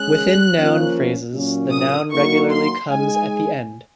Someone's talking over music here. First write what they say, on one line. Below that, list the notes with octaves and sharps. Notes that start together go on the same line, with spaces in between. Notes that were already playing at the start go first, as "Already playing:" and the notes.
Within noun phrases, the noun regularly comes at the end.
Already playing: G#3 C#4 G#4 F#6
F3 A#3 C#4 F4
A#2 F#3 A#3 C#4
D#6
F#3 A#3 D#4 F#4 A#4 C#6
C6
G#3 D#4 G#4 G#5